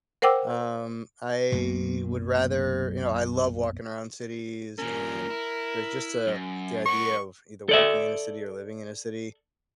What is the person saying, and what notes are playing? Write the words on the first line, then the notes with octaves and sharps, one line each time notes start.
um, I would rather you know, I love walking around cities, and there's just a the idea of either working in a city or living in a city
A#4 C5 F#5 G5 D6 E6
B1 F#2 A#3
A#2 C#4 A#4
E4
F#2
A#4 F#5 C#6
A4 D5 E5